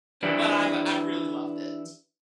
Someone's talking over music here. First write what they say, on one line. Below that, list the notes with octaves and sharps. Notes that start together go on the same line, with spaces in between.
but I've I've really loved it.
E3 D4 E4 G4 B4 D5